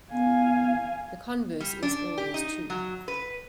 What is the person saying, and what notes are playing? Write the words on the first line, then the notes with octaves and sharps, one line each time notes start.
The converse is always true.
B3 F5 G#5
G3
D4
G4
D#4
F#3
B4